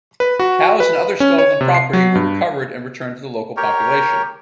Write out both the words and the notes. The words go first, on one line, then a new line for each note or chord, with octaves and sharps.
Cows and other stolen property were recovered and returned to the local population.
B4
F#4
B4
C#4
C#5
C3
C7
F#3
G2
G4 A#4 C#5